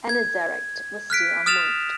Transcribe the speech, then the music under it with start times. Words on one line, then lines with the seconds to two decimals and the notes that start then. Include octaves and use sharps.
Anaxarete was still unmoved.
0.09 G#6
1.10 F6 F#6 B6 D7
1.46 D#6 F6 A6 E7 F7